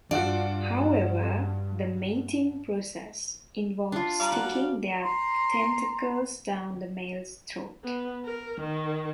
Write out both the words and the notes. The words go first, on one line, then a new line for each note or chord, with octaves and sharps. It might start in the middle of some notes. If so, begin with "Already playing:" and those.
However, the "mating" process involves sticking their tentacles down the male's throat.
G2 D4 F4 F#4 D5
D4 F4
G3 D5 F5 A#5
F#5
F#4
A#5 C6
B3
A#4
D#3